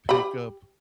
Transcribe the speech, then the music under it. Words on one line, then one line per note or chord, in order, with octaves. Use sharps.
pick up
G4 B5